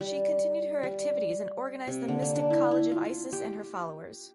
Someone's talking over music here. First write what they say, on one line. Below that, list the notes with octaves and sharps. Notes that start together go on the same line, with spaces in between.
She continued her activities and organized The Mystic College of Isis and Her Followers.
G3
G3
C3
D3
A#3
D4
E4
E4
F4
G4